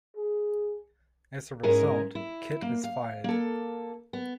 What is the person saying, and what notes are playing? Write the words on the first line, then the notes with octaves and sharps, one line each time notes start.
As a result, Kit is fired.
G#4
G#2 G#3 C#4 E4 A#4
E4
A#3
F5
A#3 A4
B3